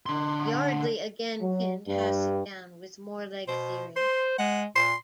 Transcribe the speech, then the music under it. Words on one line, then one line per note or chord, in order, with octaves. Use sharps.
Yardley again pinned Hassett down with more leg theory.
D3 C6
F#3
G2
B2 C5
C5 C6
G#3 F#5
A#2 C6